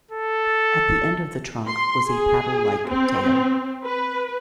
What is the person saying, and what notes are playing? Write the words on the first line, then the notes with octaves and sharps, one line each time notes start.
At the end of the trunk was a paddle-like tail.
A4
C6
G#4
C4
B4